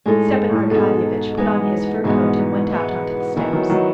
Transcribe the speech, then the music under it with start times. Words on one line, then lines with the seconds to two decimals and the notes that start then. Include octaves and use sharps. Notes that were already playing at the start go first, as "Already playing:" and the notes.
Stepan Arkadyevitch put on his fur coat and went out onto the steps.
0.05 A2 G#3 D#4 A4
0.27 G#2
0.49 A2
0.71 G#2 B2 G#3 D#4 A4
1.37 E3 G#3 B3 D#4
2.04 G#2 B2 E3 G#3 B3 D#4
2.71 E3 B3 E4
3.36 B2 D#3 E3 B3 E4
3.53 D#3 F#3
3.70 D#3 F#3